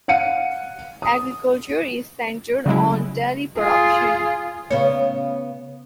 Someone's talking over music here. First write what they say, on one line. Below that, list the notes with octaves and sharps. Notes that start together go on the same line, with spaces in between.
Agriculture is centered on dairy production.
F5 F#5 C#7 D#7
D#6
C#3 F#3 G#3 E4
F4 G#4
C#3 B3 C#5